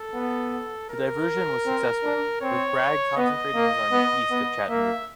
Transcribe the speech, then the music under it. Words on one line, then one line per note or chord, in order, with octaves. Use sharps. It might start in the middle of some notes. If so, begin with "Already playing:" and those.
The diversion was successful, with Bragg concentrating his army east of Chattanooga.
Already playing: A4
B3
A#4
C4
D4
C4 C#5
B3 D#5
A#3
B3
B3
A#3 E5